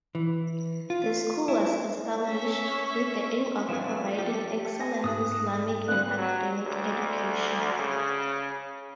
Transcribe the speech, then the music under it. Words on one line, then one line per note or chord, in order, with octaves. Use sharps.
The School was established with the aim of providing excellent Islamic and academic education.
E3
F4
E4
C#4 C#5 E5
G2 C3 F3 F#3 B3 G#5
F3 G4 A4
G#5 A#6
G#2 D#6 F#6
D3 B3 C4 A#4 D5 F5 F#6
F#3
D2
C#3